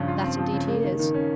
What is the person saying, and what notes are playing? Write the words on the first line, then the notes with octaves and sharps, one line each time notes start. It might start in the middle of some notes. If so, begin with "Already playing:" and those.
"That indeed he is."
Already playing: G2 C#3 F3
F4
C4
F3
C#3
A#3
D#3
D#3
C#4